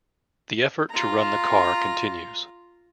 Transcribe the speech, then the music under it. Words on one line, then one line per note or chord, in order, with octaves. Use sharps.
The effort to run the car continues.
F4 A#5